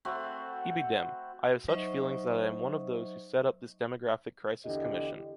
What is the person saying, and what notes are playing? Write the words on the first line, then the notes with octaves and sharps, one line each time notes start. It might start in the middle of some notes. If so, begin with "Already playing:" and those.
Ibidem, I have such feelings that I am one of those who set up this demographic crisis commission...
A3 C4 F#4 B5
F#3 D#4 C5 D#5 E5 C#6
E2 D3 E4 G4 D#5